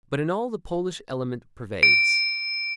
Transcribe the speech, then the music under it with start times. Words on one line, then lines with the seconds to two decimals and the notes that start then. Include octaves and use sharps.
But in all the Polish element pervades.
1.83 D7